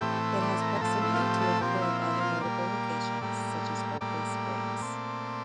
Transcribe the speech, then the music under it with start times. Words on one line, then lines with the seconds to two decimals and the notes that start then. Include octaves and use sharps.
It has proximity to a number of other notable locations, such as Berkeley Springs.
0.01 A2 E3 A3 C4 G4
0.42 D5
0.62 A#4
0.75 A#4
0.81 A2 F3 A3 C4 A4
1.02 E4
1.14 F4
1.21 G4
1.41 A4
1.61 A#2 F3 C4 G4
1.82 E4
2.01 E4
2.21 F4
2.41 A#2 G3 A#3 D5
3.21 A2 G3 A#3
4.01 A2 G3 A#3 D5
4.81 A#2 A3 C4